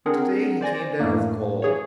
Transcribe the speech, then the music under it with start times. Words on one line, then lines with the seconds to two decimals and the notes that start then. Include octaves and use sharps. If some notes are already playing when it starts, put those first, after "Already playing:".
But today he came down with a cold.
0.06 C4 D4 G#4 A#4 F#5
0.61 C5 D5 G#5 A#6
0.99 F#2 A2 A3 A#3 D4
1.62 E3 G#4 C#5